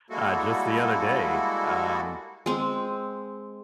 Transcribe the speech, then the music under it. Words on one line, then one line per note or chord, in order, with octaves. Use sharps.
uh, just the other day, um,
G3 G#3 A#3 E4 F#4 A4
G#3 C4